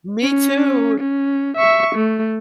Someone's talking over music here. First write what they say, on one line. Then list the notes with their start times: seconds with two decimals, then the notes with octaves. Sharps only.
Me too.
0.23 C#4
1.00 C#4
1.57 E5 C#6
1.95 A3